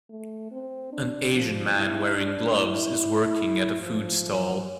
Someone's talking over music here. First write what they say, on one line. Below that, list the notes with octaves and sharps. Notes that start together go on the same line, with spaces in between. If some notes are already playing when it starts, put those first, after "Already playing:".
An Asian man wearing gloves is working at a food stall.
A3
C4
D4
F3
E4
D4
E4
F3